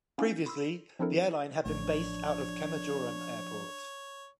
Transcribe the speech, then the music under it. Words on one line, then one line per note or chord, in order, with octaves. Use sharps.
Previously, the airline had been based out of Kemajoran Airport.
B3 C#4 D#4 E4 F5 G#5
B5 C6 D#6 E6
F3 C4 D4 E4 A4 A#4
A1 F3 D4 C#5